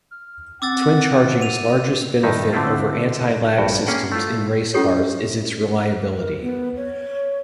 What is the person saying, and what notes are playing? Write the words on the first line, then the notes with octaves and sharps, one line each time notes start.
Twincharging's largest benefit over anti-lag systems in race cars is its reliability.
F6
C4 F#5 D6 E6 A6
A#4 D#7 F7
G2 D#3 D#4 E4
D3 A3 C4 E4 F4
A#1 G2 F#4 G5
A#3 C#4 G#4 F#5 G5
A3 E4 F4
C#4 E4 F4 G4 A4 C#5
A#4
B3
C#5